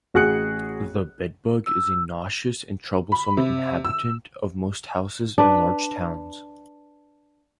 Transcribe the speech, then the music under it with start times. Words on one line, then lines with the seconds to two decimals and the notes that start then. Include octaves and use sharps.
The bedbug is a nauseous and troublesome inhabitant of most houses in large towns.
0.14 A1 F#4 G#4 F#6 C#7
1.66 E6
3.12 B5
3.37 C3
3.85 E6
5.38 D4 B4